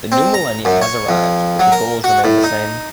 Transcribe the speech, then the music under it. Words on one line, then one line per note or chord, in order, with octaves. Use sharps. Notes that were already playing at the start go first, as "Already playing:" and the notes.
The new millennium has arrived, but the goals remain the same.
C4
A#5
F#2
C#5
F2
F#3
A#4
F#4
A2
D#4